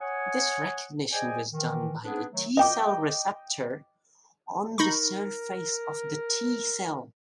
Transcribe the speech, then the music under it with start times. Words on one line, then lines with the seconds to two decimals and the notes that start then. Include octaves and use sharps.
This recognition was done by a T-cell receptor on the surface of the T-cell.
0.01 C#5 F#5 G#5 D#6
1.12 G#4 C5 D5 D#5 G5 G#5
1.53 D#3 E3
2.04 B3 C4 D4 D#4 G#4 B4
2.33 D#3 F#3 A3
2.57 D#5 G5 D6
4.78 D#4 A#4 B5 C#6